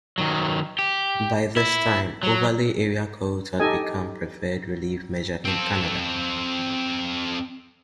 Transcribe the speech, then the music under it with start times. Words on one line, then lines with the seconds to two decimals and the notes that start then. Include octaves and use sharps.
By this time, overlay area codes had become the preferred relief measure in Canada.
0.18 D#3 F#3
0.79 G4
1.57 E4
2.23 F#3
3.60 D#4 G4 A4 D#5 G#5
5.45 C4 A4